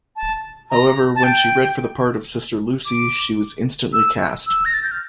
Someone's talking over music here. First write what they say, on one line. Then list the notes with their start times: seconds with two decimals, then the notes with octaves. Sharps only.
However, when she read for the part of sister Lucy, she was instantly cast.
0.16 A5
0.70 A#5
1.15 A5
1.23 G5
2.85 D6
3.93 E6
4.46 E6
4.65 A#6
4.74 A6
4.83 G6
4.91 F6